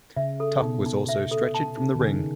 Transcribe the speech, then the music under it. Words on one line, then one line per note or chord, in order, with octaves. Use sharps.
Tuck was also stretchered from the ring.
C#3 E5
A4
B2 D#4
D#4
E5
A4
A5
D#4
D#3
C#3 G#5